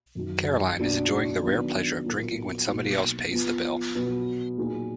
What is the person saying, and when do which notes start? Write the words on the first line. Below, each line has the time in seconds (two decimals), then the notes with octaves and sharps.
Caroline is enjoying the rare pleasure of drinking when somebody else pays the bill.
0.15 F#2 D#3 F#3
0.79 B2 A#3 D4 F#4
1.41 D#3 F#3 B3 D4
2.05 A#2 F#3 B3 F4 A#4
2.67 B2 F#3 A#3 D#4
3.31 F3 B3 F4
3.95 B2 F#3 B3
4.57 A#2 F#3 A#3 D#4 G#4